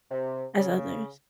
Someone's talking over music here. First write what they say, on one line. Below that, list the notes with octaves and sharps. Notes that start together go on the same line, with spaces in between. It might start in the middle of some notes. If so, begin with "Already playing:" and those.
as others.
C3
C#3